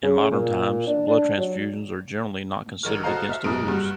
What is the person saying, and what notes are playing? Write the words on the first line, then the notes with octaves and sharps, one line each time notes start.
In modern times, blood transfusions are generally not considered against the rules.
C#3
A#2
D4
D4
F#3
A1 D#3 F6
F#4 A4 C5 D#5 F5 A#5
E5 F6
F#1 G#2 C3 D#6 D7
G2 G3 F#4 F6